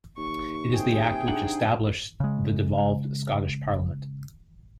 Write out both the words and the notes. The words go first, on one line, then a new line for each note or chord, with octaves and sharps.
It is the Act which established the devolved Scottish Parliament.
D#2 C#6
C3 G#4 G5
D4 D#4 F#5
C#3 G#3